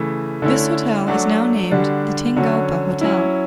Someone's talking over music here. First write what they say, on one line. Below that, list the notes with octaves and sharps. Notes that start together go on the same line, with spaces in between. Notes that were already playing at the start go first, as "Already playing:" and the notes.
This hotel is now named the Tingalpa Hotel.
Already playing: C#3 E3 A3
D3 A3 C#4 E4
F#3 A3 D4 F#4
D3 G3 D4 F#4
D3 F#3 C#4 F#4
F#3 C#4 E4